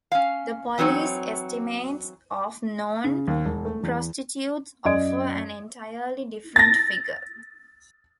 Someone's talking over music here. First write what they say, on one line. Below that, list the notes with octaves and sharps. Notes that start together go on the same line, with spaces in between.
The police estimates of known prostitutes offer an entirely different figure.
C#4 F5
E3 F#3 C4 D#4 C#5
C#3
D#2
E1
A3
E2
F#2 D5 D#5 G#6 D7
A6 A#6